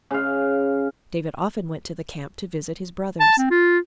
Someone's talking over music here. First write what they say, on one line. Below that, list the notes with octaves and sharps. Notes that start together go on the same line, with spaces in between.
David often went to the camp to visit his brothers.
C#3 F5
A5
C4
F4